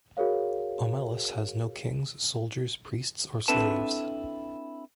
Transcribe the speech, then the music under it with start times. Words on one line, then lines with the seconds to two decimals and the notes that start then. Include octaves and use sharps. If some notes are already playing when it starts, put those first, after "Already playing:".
Omelas has no kings, soldiers, priests, or slaves.
0.17 F#4 G#4 A#4 C#5 F5
3.48 C4 D4 E4 A4 B4 A5